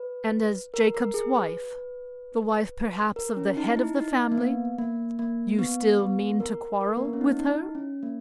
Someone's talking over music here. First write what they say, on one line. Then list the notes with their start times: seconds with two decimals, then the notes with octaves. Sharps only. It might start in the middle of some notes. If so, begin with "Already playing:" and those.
"And as Jacob's wife--the wife perhaps of the head of the family--you still mean to quarrel with her?"
Already playing: B4
0.74 A#4
0.94 A#4
1.14 G#4
1.34 B4
3.16 A#4
3.37 C#4
3.57 D#4
3.77 E4
3.97 D#4
4.32 A#3
4.38 B3
4.78 A#3
5.19 A#3
5.59 B3
5.99 B3
6.40 A#4
6.81 A#4
6.97 A#3
7.05 B3
7.13 C#4
7.21 D#4
7.39 D#4
7.48 E4
7.75 C#4
8.03 A#3